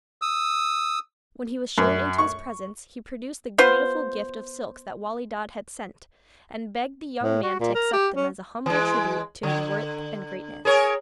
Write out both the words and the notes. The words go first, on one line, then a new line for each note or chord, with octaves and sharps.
When he was shown into his presence he produced the beautiful gift of silks that Wali Dad had sent, and begged the young man to accept them as a humble tribute to his worth and greatness.
D#6 E6
F#2
C#6
B3 F4 C5
A2
F#4
A#2
A#4
G4
C#4
E3 G#3
D3
G#4 A#4 C#5